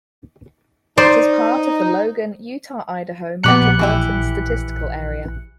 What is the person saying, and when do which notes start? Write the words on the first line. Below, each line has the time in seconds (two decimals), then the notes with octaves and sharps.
It is part of the Logan, Utah-Idaho Metropolitan Statistical Area.
0.97 D#4 C5 D5
3.43 A#1 B3 G4 A#5 F#6 C#7
3.79 E3 E4 G4